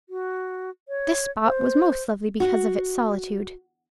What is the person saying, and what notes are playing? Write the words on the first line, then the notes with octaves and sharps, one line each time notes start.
This spot was most lovely because of its solitude.
F#4
C#5
C5
F#4